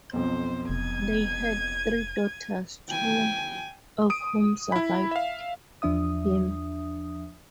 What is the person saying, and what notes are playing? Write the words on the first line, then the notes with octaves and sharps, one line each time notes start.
They had three daughters, two of whom survived him.
B1 F2 C5
F1 G#6 D#7
G5 G#5
D#6 D7
E4 B5
E5 F5
E2 F3 D4 E5 D#6